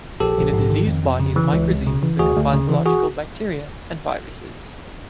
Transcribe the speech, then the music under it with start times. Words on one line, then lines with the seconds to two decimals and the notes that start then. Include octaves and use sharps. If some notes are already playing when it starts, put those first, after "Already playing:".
In a diseased body, the microzymas become pathological bacteria and viruses.
0.20 A#1 G4 A4
0.37 A#1
0.53 G#2
0.70 D#3
0.87 F2
1.03 F2
1.20 C#3
1.36 E3
1.53 C#2
1.70 C#2
1.87 C#3
2.03 E3
2.19 D2 F#4 G#4
2.36 D2
2.53 C#3
2.69 E3
2.86 F#4 G#4